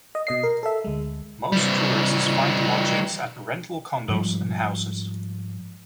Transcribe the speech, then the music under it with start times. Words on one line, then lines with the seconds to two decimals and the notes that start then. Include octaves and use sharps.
Most tourists find lodgings at rental condos and houses.
0.15 D#5
0.27 B2 D#5 C7
0.43 A#4
0.63 A4 E5
0.84 D2 G#3
1.52 E3 G3
4.08 G#2 F3 G3